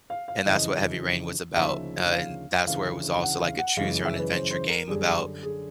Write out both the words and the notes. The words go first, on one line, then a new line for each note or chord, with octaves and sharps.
and that's what Heavy Rain was about, uh, and that's where it was also, like, a choose your own adventure game about
F5
F5
F2 C#3 E3 D#5
D2 C#3 F3 A#3 D#4 E5
F5
D2 C#3 E3 F5
F#5
F5
F#5
F#2 C#3 E3 G#3 F5
E5
B4
C5
C5
A#4
F#2 D3 G3 G#4
G#4